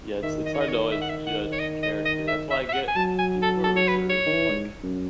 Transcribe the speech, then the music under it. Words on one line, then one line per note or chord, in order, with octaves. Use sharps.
Yeah, it's it's hard to always judge character, that's why I get people who are reserved, like,
D#3 E5
D#5
C#5
D#5
C#5
E5
F#5
E5
F#5
C#5
D#5
D#5
D#5
E5
E5
E5
F#5
G#5
F#3 A5
G#5
A4
A4
C#5
B4
C#5
D#3
E3
G#2
F#2